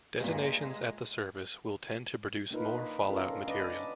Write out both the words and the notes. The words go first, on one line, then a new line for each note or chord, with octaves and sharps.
Detonations at the surface will tend to produce more fallout material.
G2 A#2 G#3
A#3 D4 D#4 F4 A#4 B4
B3 C#4 D4 F4 A4 A#4
D4 B4 D5 D#5